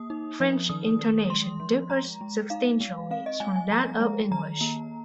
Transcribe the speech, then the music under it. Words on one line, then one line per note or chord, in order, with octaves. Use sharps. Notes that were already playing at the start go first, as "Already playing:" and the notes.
French intonation differs substantially from that of English.
Already playing: A#3 D#6
D#4
F3
D#3 D#6
D#3
G#3 C6
F3
G#3 A#5
G#3
D#4 F5
G#3
C4 F5
D#5
G#3 G#5
G#5
F3 A#5
G#3
D#3 A#5
A#3